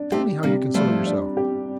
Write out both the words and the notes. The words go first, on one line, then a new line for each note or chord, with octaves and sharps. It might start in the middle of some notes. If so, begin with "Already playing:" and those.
"Tell me how you console yourself."
Already playing: D4
A3 C4 G4
C3 G3 A#3
F3 G3 A3
D4
G4